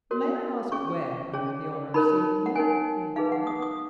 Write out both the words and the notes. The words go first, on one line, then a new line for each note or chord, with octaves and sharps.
"May I ask where I had the honor of seeing you?" he inquired.
F#4 A#4 C#5
C#4 G#4 C#5 C#6
C#4 G#4 C#5
D#4 A#4 C#5 B5
F#5
D#4 A#4 C#5 G#5
D#4 G#4 B4 F5
F#5
D#6
D#6